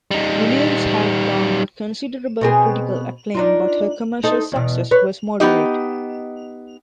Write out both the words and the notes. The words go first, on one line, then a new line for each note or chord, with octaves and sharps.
Williams had garnered considerable critical acclaim, but her commercial success was moderate.
G3 D#4
B2 C4 G#4
D4 D#4 F4
D#4 A4 C5
E2 B2
B4 C#5
B3 D#4 G4 D#5